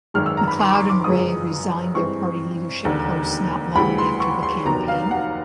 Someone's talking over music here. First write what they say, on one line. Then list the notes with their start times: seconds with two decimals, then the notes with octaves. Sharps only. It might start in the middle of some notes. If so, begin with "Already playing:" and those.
McLeod and Rae resigned their party leadership posts not long after the campaign.
0.14 G#1 F#2 D#3 G#3 F6
0.26 E6
0.37 A#5
0.48 B5
0.59 C6
0.69 D6
0.74 C#6
0.89 D6
1.04 G1 F#2 C#3 F3 G#3 D#6
1.94 G2 E3 G#3 C4 C#6
2.85 E1 D#2 D3
3.75 D2 C#3 E3 G3 B5
3.98 C6
4.20 C#6
4.43 C6
4.65 F1 D#2 D#3 F#3 B3 A#5
4.88 F5
5.11 F#5